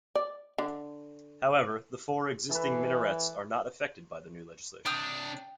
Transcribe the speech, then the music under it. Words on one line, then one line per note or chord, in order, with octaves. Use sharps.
However, the four existing minarets are not affected by the new legislation.
D5
D3
E3 A4 B4
C3 D4 G5 D#6 F6